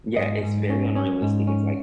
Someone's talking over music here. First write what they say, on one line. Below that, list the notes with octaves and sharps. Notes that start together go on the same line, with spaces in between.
Yeah, it's very unrealistic. It's, like,
G#2 D#5
G#2
C#4
C#4
G#2
C#4